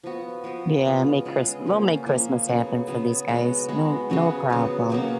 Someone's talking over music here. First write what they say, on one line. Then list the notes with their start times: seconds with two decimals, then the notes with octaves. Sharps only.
Yeah. Make Chris we'll make Christmas happen for these guys. No no problem.
0.03 F3 B3 F#4
0.44 F3 B3 F#4
0.85 C#3 G#3 B3 F4
1.25 C#3 G#3 B3 F4
1.66 F3 A#3 C#4
2.06 F3 A#3 C#4
2.47 C#3 F#3 B3
2.87 C#3 F#3 B3
3.28 G#3 B3 F#4
3.68 G#3 B3 F#4
4.10 C#3 F#3 B3 F#4
4.49 C#3 F#3 B3 F#4
4.90 B2 F#3 A#3 C#4